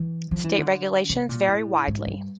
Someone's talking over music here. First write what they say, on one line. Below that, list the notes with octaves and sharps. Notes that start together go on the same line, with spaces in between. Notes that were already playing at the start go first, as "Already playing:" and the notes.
State regulations vary widely.
Already playing: E3
F3
E3
D3
C3
A#2
A2
G#2
G2